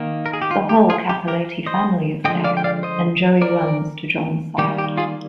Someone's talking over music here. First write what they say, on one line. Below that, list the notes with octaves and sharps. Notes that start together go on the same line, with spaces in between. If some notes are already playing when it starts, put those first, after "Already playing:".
The whole Cappelletti family is there, and Joey runs to John's side.
Already playing: D#3 A#3
A#4
G#4
G4
F4
G4
F4 G#4
G4
G4 A#4
C5 D#5
D3 F3 G#3 D#5 G5
D5 F5
G5
D5 F5
C5 D#5
A#4 D5
D#3 G3 A#3 G4
G4
F4 G#4